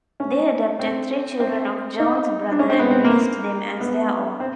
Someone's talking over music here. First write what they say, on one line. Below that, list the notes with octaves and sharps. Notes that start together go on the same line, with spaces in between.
They adopted three children of John's brother and raised them as their own.
C#4
C4
C4
D#4
D4
C#4
C4
B3
C4
A#3
B3
C4